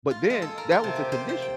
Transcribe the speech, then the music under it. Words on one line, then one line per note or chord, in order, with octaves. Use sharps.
but then that was the condition.
F4
G#3
A4
A#4
F4
C3
G4
C5
C5
G5